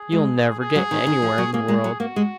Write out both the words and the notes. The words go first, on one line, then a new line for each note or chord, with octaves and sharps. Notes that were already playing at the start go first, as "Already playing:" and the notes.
You'll never get anywhere in the world.
Already playing: G#4
G#3
G#4
F#3
D#3
D#3
F3
F#3
A#3 G#4
G#3
F#3
A#3 F#4
G#3